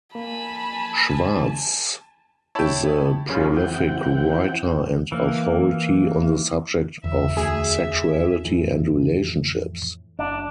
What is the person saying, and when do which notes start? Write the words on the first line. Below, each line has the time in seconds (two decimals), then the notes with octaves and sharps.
Schwartz is a prolific writer and authority on the subject of sexuality and relationships.
0.15 A#3 G#5 A5 B5
2.55 E4 C#5 G5 A5 B5
3.29 F#2 C#3 C#4 F4
3.56 E3 C4 E4 F#5 G5
5.12 E3 A#3
7.04 G1 E2 E5
7.37 D2 G#4
8.45 F2 A2 E3
10.19 F#1 D4